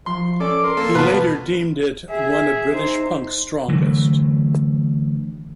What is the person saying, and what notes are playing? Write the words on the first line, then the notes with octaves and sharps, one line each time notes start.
He later deemed it "one of British punk's strongest".
F3 C6
C#4 A4 D5 D6
A#4 C6
A#3 A4
B2 B3 F4 B4 A5
G#4 E5
D#4 C5
D3 E3 F#3 A3